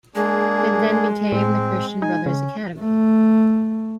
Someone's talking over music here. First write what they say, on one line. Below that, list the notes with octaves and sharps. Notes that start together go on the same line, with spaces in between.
It then became the Christian Brothers Academy.
G#3 A#3 D4 G#4
A2 C4
D#4 G#5
C#3 C#4
A3